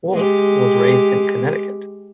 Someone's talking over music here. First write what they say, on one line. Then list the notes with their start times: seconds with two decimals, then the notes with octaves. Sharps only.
Wolfe was raised in Connecticut.
0.13 G#3 G4